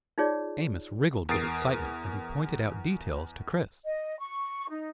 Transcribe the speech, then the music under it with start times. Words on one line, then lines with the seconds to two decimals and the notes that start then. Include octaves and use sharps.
Amos wriggled with excitement as he pointed out details to Chris.
0.18 D#4 F4 G#4 C#5 D5
1.29 E2 A#4 D#6 A6 C7 D7
3.84 D#5
4.19 C#6
4.70 D#4